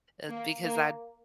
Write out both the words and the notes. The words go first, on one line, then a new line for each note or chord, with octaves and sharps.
uh, because I
A#3
A#3